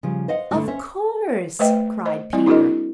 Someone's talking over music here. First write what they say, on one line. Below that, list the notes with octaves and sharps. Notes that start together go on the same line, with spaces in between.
"Of course," cried Peter.
C#3 F3 G3
C5 D#5 F5 F#5
D3 A3 F#4
C#4 C5 C#5 E5
A3 B4 C5 D#5 E5 G5
C5 D#5
G3 C4 E4 D5
D4 E4 F#4 G#4 A#4 D#5